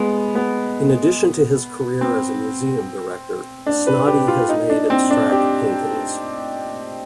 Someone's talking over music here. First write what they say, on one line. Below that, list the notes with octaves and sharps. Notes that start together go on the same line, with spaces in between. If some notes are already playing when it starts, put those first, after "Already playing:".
In addition to his career as a museum director, Snoddy has made abstract paintings.
Already playing: G#3 B3
B3
C4
D4
B4
G4
F4
D#4
D4
C4
D4
G4